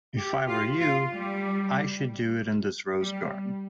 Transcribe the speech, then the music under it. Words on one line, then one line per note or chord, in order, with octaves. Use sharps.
If I were you, I should do it in this rose garden.
G4
F4
F4
G3
G3